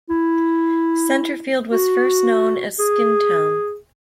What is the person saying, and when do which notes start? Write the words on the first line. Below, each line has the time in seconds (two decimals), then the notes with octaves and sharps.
Centerfield was first known as Skin Town.
0.09 E4
1.72 F#4
2.79 G#4